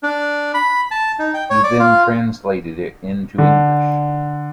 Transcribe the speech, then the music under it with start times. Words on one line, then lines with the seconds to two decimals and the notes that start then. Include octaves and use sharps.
He then translated it into English.
0.03 D4
0.54 B5
0.91 A5
1.19 D#4
1.34 G5
1.50 C#5
1.64 D5
1.79 F4
3.38 D3